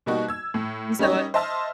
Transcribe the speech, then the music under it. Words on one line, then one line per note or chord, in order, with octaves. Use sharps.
You say what?
B2 G3 A#3 D#4 F#4
E6 G#6
A2
G3 C#4 D#4 A#4 C#5 D#5
C5 D#5 E5 A5 E6 F6